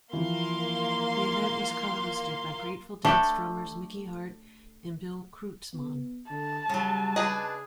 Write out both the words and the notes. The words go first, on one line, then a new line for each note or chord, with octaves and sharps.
The event was co-hosted by Grateful Dead drummers Mickey Hart and Bill Kreutzmann.
E3 F3 A#3 F5 C6
A3 D4 G4 A4
B3
D3 A5
C#3 F#3 G3
D4 G#4 B4 D#5